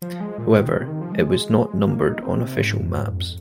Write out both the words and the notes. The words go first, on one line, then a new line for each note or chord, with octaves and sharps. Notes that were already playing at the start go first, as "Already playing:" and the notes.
However, it was not numbered on official maps.
F3
G#3
A#2
D#3
C3
D#3
F3
G#3
A#3
D#4
C4
C3
G#2
F2
G#2
F2